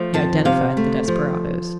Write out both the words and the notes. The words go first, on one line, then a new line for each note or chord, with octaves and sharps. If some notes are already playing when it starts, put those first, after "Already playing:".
He identified the desperadoes.
Already playing: F3 A3
F2 A5
C3 F5
A3
F3